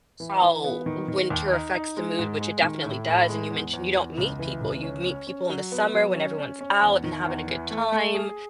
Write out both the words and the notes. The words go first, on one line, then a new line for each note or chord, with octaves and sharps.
how winter affects the mood, which it definitely does, and you mentioned you don't meet people. You meet people in the summer when everyone's out and having a good time.
E3
E3
B3
D#3
D#3
D#2
D#4
D#4
G#3
G#2
G#3
D#3
A2
A2
G#3
E2
E2
E2
C#2
E3
C#2
C#4
C#4
C#4
F#3
B3
F#3
C#4
C#4
C#4
E2
D#3
E2
E3
A3
A3
G#4